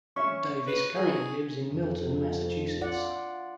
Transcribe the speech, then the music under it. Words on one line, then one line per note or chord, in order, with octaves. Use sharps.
Davis currently lives in Milton, Massachusetts.
C#4 G#4 E5 C#6
B4
G#4
F2
F4 D5 F#5